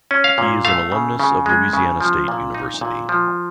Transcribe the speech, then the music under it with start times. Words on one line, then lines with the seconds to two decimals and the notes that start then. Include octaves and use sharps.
He is an alumnus of Louisiana State University.
0.11 C#4
0.24 F5
0.38 A#2
0.65 A3 F5
0.92 C#3
1.19 C#3
1.46 G#3
1.73 C#3
2.01 F3
2.28 A#2
2.54 D#4
2.81 A#2
3.09 F3